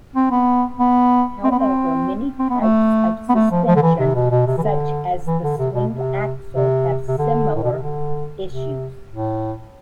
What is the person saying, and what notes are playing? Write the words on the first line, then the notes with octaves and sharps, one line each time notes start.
However, many types of suspension, such as the swing axle have similar issues.
C4
B3
B3
C4
B3
C4
C4
B3
A3
B3
A3
F3
F3
D3
E3
C3
B2
B2
C3
E3
D3
E3
D3
C3
B2
C3
C3
C3
D3
A2
B2
C3
D3
C3
A2